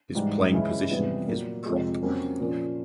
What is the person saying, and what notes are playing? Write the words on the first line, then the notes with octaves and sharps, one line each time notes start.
His playing position is prop.
G#2 E3 G3
C#3 E3 G#3 C#4 E4
F2 C3 E3 G3 B3
A#2 F#3 A#3
F2 C3 F3 G#3
F2 C#3 F#3 A#3 C#4
A#2 F3 A#3 C#4